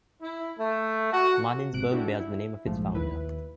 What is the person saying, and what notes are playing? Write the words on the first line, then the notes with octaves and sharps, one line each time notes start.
Martinsburg bears the name of its founder.
E4
A3
F#4
G#1 C3 F#6 D7
D4 E4 F#4 G4 A4
E4
A#1 G#2 F3 A3
D#2 E4 B4